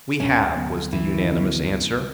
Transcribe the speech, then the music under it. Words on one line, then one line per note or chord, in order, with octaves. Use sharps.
"We have," was the unanimous answer.
D2 C#4
D3 F#3 B3
D2 E3
D3 F#3 B3
C#2